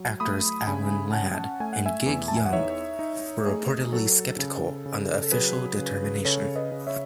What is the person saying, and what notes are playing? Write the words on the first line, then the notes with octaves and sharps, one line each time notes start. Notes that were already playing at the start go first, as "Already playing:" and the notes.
Actors Alan Ladd and Gig Young were reportedly skeptical of the official determination.
Already playing: F#3
A3 B5 D#6
C#3 G#5 B5
C#4 F#5 A5
A3 G#5
F#5
E5 G#5
E2
A5
G#5
F#5
D#4 C#5 E5
D#4
A3 G#4
F#3 A4
C#3
C#3
A4
F#3 G#4 B4
C#3
C#3 A4 C#5
B4 D#5
C#3
C#5 E5